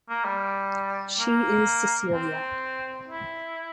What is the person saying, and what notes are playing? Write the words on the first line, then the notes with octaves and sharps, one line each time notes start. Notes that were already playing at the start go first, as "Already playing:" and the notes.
She is Cecilia.
A#3
G3
A#3
C4
E4